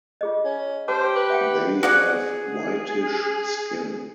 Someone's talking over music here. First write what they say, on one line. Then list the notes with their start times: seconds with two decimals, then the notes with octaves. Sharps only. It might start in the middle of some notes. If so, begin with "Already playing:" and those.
They have whitish skin.
0.21 F4 G#4 D#5
0.45 C#4
0.88 G4 B4 C5 A5 D6
1.16 B4 D6
1.30 E5 F#5 G5
1.83 F#4 G#4 D5 F#5